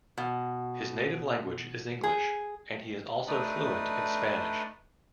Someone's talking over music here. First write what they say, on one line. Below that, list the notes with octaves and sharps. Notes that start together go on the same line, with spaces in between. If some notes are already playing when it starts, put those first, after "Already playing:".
His native language is English and he is also fluent in Spanish.
B2
G#4
A3 D4 D#4 B4 D5 D#6